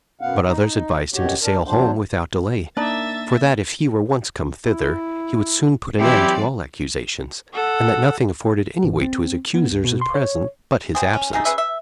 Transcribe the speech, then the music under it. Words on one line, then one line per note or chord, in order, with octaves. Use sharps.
But others advised him to sail home without delay; for that if he were once come thither, he would soon put an end to all accusations, and that nothing afforded any weight to his accusers at present but his absence.
F#2 B2 B3 F5 F#5
D#4
F#2 B2 F#4 G4 C#5
D4 A#4
E2 F#3 D4 C5
A#3 D4 D#4 D5 E5 A6
E4
E3 F#3 C4 E4 G4 D5
A4 F#5
A1
C4
B3
C#2
B2
C6
C#5
C3 C4 G#4
C#4
A3 D#4 G#4 F5
C#4 G#4 B4 E5
E5